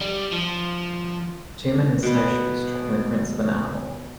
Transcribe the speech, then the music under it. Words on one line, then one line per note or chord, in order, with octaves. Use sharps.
Two men in snowshoes tracking the prints of an animal.
G3
F3
B2 B4